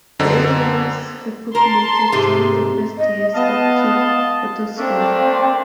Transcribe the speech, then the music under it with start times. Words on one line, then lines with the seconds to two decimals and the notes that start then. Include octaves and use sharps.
The area was repopulated during the first years of King Otto's rule.
0.20 F#2 D3 C4 D#5
1.55 A#4 A5 C6
2.12 G#2 C3 A3
2.98 D#5
3.35 B3 D#5 F5 A5
4.78 A3 A#3 C4 D4